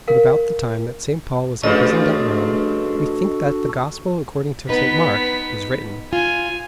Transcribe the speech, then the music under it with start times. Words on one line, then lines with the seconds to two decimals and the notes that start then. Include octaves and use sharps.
But about the time that St. Paul was imprisoned at Rome we think that the Gospel according to St. Mark was written.
0.08 A#4 F5
1.64 G2 C#3 F3 A3 D4 F#4 A4 D#5
4.69 B3 D#4 B4 B6
6.13 F4 G#5